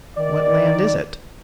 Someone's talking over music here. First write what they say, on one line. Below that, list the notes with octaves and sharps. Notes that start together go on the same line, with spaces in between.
"What land is it?"
D#3 D5